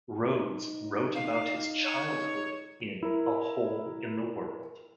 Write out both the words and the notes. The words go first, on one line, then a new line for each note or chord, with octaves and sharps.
Rhodes wrote about his childhood in "A Hole in the World".
D#4
F5
C#5
E4 A#4